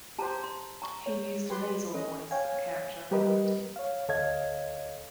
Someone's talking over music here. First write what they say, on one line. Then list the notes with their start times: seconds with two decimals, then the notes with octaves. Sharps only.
He used a nasal voice for the character Humpty.
0.19 G4 C5 A5 A#5
0.43 C6
0.82 A#5 C#6
1.06 C#5
1.50 G4 B4 C6
1.94 C#4 A4 D#5
2.31 C#5 F5 G5 G#5
3.11 G3 G4 A#4 B4 D#5
3.76 C#5 F5
4.09 D2 A4 C#5 D#5 F5 G#6